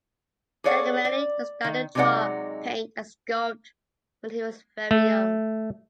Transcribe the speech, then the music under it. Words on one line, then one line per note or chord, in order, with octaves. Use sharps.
Giacometti started to draw, paint and sculpt when he was very young.
G#4 A4 C#5 D5 F5 F#5
D5
D#3
C3 F#3 G#3 D#4 D5 F#5
A3